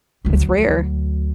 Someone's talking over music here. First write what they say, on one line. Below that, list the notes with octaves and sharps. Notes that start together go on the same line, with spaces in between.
It's rare.
D2 F#3